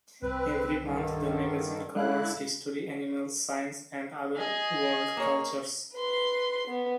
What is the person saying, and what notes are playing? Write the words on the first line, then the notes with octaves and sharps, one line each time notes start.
Every month the magazine covers, history, animals, science and other world cultures.
C2 C4 B4
G2 D3 D#3
D3 G#3 E4 A4 F5 F#6
G#4 D#5
A#3 C#5
B4 C6
B3